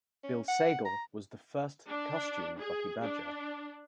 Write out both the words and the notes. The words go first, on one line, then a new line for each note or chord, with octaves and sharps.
Bill Sagal was the first costumed Bucky Badger.
C#4
F#5
A#5
D4
G#4
D4